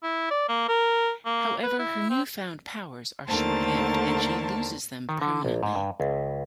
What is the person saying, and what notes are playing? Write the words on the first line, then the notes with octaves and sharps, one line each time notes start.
However, her new-found powers are short-lived, and she loses them permanently.
E4
D5
A#3
A#4
A#3
B4
E4
C4
D#2 D3 A3 A#4 C5 A5
D#3
D3
A#1
G#2
G2
C#2